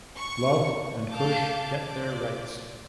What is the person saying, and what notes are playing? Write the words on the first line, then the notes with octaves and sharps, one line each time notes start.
Luv and Kush get their rights.
C#6
F5 A5 D6 G6
C5 D5 D6